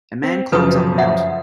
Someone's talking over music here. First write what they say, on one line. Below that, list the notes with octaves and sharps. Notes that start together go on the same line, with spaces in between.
A man climbs up a mountain.
C4
F#2 C#3 F3 A4 B4 D#6
E5 F#5